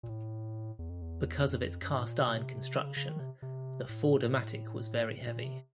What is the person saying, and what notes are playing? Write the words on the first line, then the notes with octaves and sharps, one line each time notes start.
Because of its cast iron construction, the Ford-O-Matic was very heavy.
A#2
A2
E2
F2
E2
F2
F#2
G#2
A#2
B2
B2
C3
D3
C#3
C#3
D#3
C3
C3
A2
A#2
C3